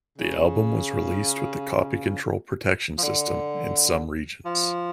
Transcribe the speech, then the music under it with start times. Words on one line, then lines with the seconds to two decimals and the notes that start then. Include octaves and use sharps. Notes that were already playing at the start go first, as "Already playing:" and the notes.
The album was released with the Copy Control protection system in some regions.
0.18 C#3
2.98 F3
3.02 D3
4.46 F3